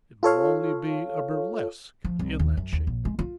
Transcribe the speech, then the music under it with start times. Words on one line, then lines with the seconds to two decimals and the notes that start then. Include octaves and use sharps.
It will only be a burlesque in that shape.
0.23 F4 A4 C#5 F5
2.04 F3
2.19 C2
2.39 D#2
2.57 F#2
2.72 D#2
2.87 A#1
3.05 G#3
3.19 F4